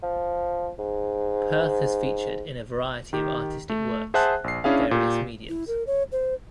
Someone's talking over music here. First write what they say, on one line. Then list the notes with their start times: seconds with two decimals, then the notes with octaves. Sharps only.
Perth has featured in a variety of artistic works in various mediums.
0.03 F3
0.79 G#2
3.13 D#3 G4
3.70 A3
4.14 G#4 C5 E5 F#5 A5 F#6
4.44 A#1 C7
4.64 C#4 D4 E4 G#4 E5 F5
4.91 A#2 G4
5.49 E4
5.68 A#4
5.87 C#5
6.12 C5